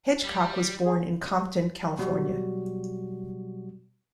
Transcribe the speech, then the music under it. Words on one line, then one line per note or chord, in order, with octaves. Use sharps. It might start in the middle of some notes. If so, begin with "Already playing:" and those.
Hedgecock was born in Compton, California.
G3
G#4
B2 F#3 G3 F#4